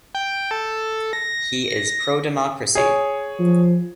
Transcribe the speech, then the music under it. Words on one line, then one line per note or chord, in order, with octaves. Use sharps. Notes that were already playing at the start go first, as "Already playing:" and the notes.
He is pro democracy.
G5
A4
A#6
G#4 C#5
F3